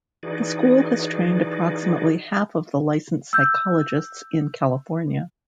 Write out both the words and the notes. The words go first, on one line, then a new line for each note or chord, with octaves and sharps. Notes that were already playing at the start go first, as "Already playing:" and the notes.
The school has trained approximately half of the licensed psychologists in California.
E3 D#4 F#4 G#4 D5
E6 G6